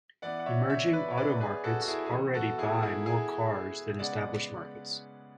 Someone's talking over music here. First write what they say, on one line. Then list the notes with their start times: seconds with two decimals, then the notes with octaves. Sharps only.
Emerging auto markets already buy more cars than established markets.
0.22 E3 B3 D5 F#5
0.39 F#5
0.46 C#5 E5
0.70 C#5 E5
0.93 B4 D5
1.11 C#5
1.17 B4 D5
1.40 G#4 B4
1.64 F#4 A4
1.81 F#4
1.88 E4 G#4
2.06 G#4
2.11 E3 B3 F#4
2.34 F#4 A4
2.58 E4 G#4
2.82 E4 G#4
3.06 E4 G#4
3.99 C#3 G#3 B3 D5 F#5